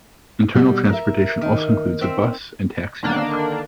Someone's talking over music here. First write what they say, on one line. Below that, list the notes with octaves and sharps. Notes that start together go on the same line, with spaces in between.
Internal transportation also includes a bus and taxi network.
B2 G3
A#4 E5
D#3
C4 E5
D3 D#3 A#3 D4